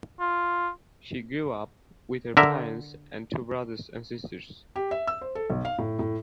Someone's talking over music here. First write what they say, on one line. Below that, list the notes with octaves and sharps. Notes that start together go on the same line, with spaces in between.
She grew up with her parents and two brothers and sisters.
F4
D3 A#4 E5
G4
E5
E6
C5
A4
B1
F5
A2
A2